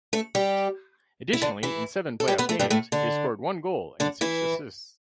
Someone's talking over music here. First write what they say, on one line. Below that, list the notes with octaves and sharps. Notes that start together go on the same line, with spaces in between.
Additionally, in seven playoff games, he scored one goal and six assists.
A3 A4
G3 G4
E4
D3 D4
E3 E4
A4
G3 G4
B3 B4
A3 A4
G2 G3
A2 A3
D3 D4
D3 D4
E3 E4